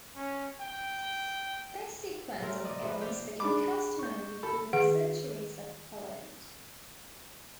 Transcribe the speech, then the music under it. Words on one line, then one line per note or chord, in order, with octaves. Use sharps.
This sequence of events became customary for the centuries that followed.
C#4
G5
A3 C4 C#4 A#4
D5 D#5
C3 F3 B4
D5 E5 F5 G5
D4 G#4 B5 D6
C#6 G6
A4 B5
D#3 G#4 F#5